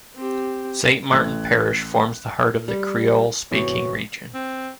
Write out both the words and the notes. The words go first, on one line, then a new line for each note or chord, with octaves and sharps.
Saint Martin Parish forms the heart of the Creole-speaking region.
C4 G4
A1 A3 F#6 G#6
G3
E2 G#2 C3 E3 B3 F#4 C#5
C4